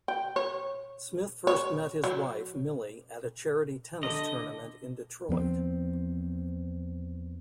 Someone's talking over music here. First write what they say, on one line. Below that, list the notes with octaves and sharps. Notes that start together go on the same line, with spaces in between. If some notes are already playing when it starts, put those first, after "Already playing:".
Smith first met his wife, Millie, at a charity tennis tournament in Detroit.
G5
C#5
C#5
F#3
D3 D#5
E2 F3 A3 C4